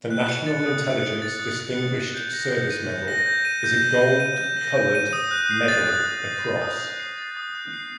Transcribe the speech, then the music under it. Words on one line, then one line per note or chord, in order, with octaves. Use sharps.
The National Intelligence Distinguished Service Medal is a gold colored medal across.
F#6
C#7
A6
D#6
F#6
C#7
A6
D#6
F#6
C#7
A6
G6
A#6
G6
D#7
G6
A#6
G6
D#7
G6
A#6
G6
D#7
G6
A#6
G6
D#7
D#6
F#6
C7
A6
D#6
F#6
C7
A6
D#6
F#6
C7
A6
D#6
F#6
C7